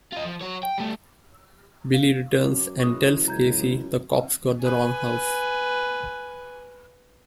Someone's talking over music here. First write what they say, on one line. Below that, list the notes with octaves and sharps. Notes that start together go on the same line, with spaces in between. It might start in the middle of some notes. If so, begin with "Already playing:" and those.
Billy returns and tells Casey the cops got the wrong house.
F4 D#5
F3
F#3 C#5
G5
G3 A3
F5
F#2
E3 G#3 C#6 D#6
C#2 A#5 G6 G#6
B4 G#5